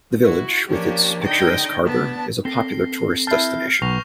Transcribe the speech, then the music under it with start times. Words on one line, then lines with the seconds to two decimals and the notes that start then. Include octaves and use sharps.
The village, with its picturesque harbour, is a popular tourist destination.
0.22 E4 F#4
0.68 F3 A#3 C#4 D4 G4
1.24 D3 D#4 G5 D#6 G6
1.85 B3 D4 A5
2.45 C4 A4 A#4 A#6 C7 G7
3.27 E4 A5 F6 G6 C7
3.82 B1 B4 C#6 A#6 F7